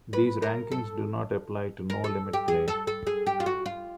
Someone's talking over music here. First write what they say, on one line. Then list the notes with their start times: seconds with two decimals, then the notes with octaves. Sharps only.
These rankings do not apply to no limit play.
0.13 B4
0.42 A#4
0.72 A4
1.90 A#4
2.04 A4
2.33 G4
2.48 G#4
2.68 A4
2.87 A4
3.07 G#4
3.26 G4
3.40 F4
3.46 F#4
3.66 F4